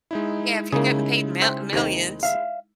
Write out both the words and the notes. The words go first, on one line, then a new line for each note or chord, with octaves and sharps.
Yeah, if you're getting paid m millions,
G#3 D#4 E4
C#3 G#3 A#3 D#4 E4 G#4
C5 E5 G5
D#2 C3 D#3
E5 F5